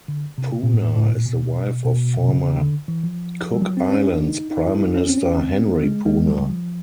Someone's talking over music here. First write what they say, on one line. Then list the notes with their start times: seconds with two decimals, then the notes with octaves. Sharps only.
Puna is the wife of former Cook Islands Prime Minister Henry Puna.
0.08 D3
0.38 C3
0.63 A#2
0.74 A2
0.96 A2
1.11 A#2
1.26 B2
1.85 B2
2.17 C3
2.29 C#3
2.44 C#3
2.59 D3
2.88 E3
3.03 F3
3.54 G3
3.62 F#3
3.77 C4
3.92 C#4
4.07 D4
4.29 D#4
4.51 D#4
4.65 E4
4.80 D#4
4.95 C#4
5.09 C4
5.17 C#4
5.39 C4
5.61 B3
5.83 G#3
6.06 G#3
6.28 G3
6.50 F3